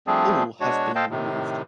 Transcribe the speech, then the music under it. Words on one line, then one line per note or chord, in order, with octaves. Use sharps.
All have been removed.
F3 G3 A3 C4 D4 G#4
B2 G#3 D4 F#4 C#5
A4 C5 D#5 F5 G5 A5
A2 C3 D#3